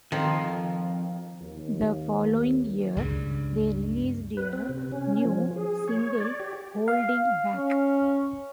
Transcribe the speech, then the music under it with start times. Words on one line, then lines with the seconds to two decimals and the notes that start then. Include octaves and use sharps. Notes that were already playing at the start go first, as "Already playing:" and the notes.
The following year they released a new single "Holding Back".
0.12 F2 D#3 F3
1.41 D#2
2.96 C#2 G2 C#3 G3
4.37 B4
4.53 C4
4.69 C3
4.92 C#4
5.25 F3
5.56 G#4
5.88 C#5
6.20 D5
6.40 G4
6.88 F5
7.54 C#4